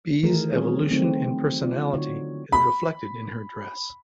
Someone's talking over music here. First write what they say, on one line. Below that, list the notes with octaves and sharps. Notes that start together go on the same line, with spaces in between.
Bee's evolution in personality is reflected in her dress.
D#3 E3 A3 D#4 G#4 A#4
G3 B3 C4 E4 G#4 C#5
D3 F#3 A3 C4 D#4 F#4
D#4 F4 D5
D3 D#4 F#4 C#5
B5